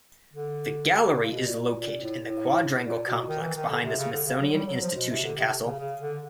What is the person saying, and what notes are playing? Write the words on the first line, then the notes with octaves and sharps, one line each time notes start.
The Gallery is located in the Quadrangle Complex behind the Smithsonian Institution Castle.
D3
C#3
B2
A#2
A#2
A#2
A2
A2
A#2
B2
D#3
E3
D#3
D3
C3
C#3
D3
C#3
F#3
G3
F#3
F3
B2
C3
D3
C3
C#3
C#3
D3